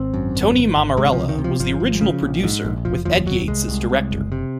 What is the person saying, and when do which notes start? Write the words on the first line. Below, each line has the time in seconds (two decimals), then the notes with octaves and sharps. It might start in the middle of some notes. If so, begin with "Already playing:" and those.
Tony Mammarella was the original producer with Ed Yates as director.
Already playing: G#1 C4
0.14 F#2
0.35 G#1
0.56 G#1
0.76 G#1
0.97 C3 G#3
1.12 F3
1.18 C#2
1.29 D#3
1.38 C3
1.44 F3
1.60 G#1 F3
1.80 G#1
2.01 C#3
2.22 A#1
2.44 G#2
2.65 A#1
2.85 F1 F3
3.05 D#2 F3
3.26 F1 F#3
3.48 C2 G#3
3.68 C2
3.90 C2
4.11 F#1
4.32 C3